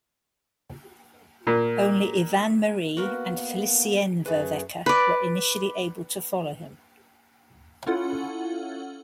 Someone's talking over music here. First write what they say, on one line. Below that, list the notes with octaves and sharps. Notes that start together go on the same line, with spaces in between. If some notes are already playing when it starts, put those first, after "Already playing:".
Only Yvan Marie and Felicien Vervaecke were initially able to follow him.
A#2 A#4
A#3 B3 F#4 A#4 B4
F#2 A3 G#4 B4
B4 D5
C#4 E4 F4 A4 F#5